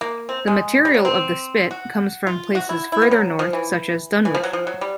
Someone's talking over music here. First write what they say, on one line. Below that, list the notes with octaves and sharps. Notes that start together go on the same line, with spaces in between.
The material of the spit comes from places further north, such as Dunwich.
A#3
C4
G#3
G3
F#3
C4
F#4
F4
F#4
E4
E4
B3
F#3
F3
E3
E3
F3
F#3
F3
F#3
G3